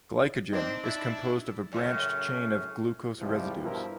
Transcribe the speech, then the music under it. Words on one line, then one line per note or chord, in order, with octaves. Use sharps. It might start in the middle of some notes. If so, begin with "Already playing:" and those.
Glycogen is composed of a branched chain of glucose residues.
C4 D4 D#4
D4 E4
F#2 A2 C#3
C2 G#2 E3 F3 G3
G2 B2 F3 E4 A#4